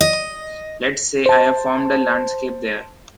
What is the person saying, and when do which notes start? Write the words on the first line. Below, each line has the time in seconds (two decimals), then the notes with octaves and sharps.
Let’s say i have formed a landscape there.
0.01 D#5
1.26 C5 A5